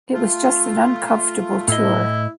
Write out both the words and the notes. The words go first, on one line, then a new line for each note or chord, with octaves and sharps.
It was just an uncomfortable tour.
A3 F4
A2 E4 D#5